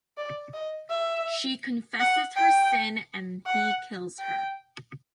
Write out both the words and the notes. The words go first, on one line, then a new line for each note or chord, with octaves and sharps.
She confesses her sin and he kills her.
D5
D#5
E5
F#5
G5
F#5
G5